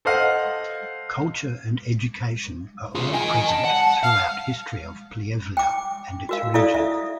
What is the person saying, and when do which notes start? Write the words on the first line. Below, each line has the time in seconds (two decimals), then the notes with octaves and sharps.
Culture and education are all present throughout history of Pljevlja and its region.
0.05 A4 C5 D#5 F5 F#5
2.95 F4 G#4
3.13 D#5 G5 G#5
3.47 A5
3.64 F#5
4.03 F5 F6
5.57 G5 D6
6.29 F#4 A#4 F5
6.54 E4 A4 D5 F5 D#6
6.74 E5